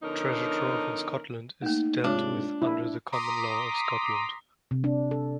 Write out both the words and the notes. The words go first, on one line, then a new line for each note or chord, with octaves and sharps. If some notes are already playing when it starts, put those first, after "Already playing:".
Treasure trove in Scotland is dealt with under the common law of Scotland.
D3 F3 B3 C#4 D#4 A#4
A3 A#3 D#4
G#2 C3 G#3 D4 F4 C#5
A#1 E4
A#5 C6 D6 D#6 B6
C3
D4
A4